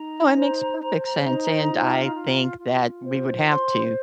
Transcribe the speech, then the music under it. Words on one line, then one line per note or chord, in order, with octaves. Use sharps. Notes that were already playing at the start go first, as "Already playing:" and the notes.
Oh, it makes perfect sense, and I think that we would have to.
Already playing: D#4 A#5
C5
C5
D#4
F4
F4
F4
C5
C5 C6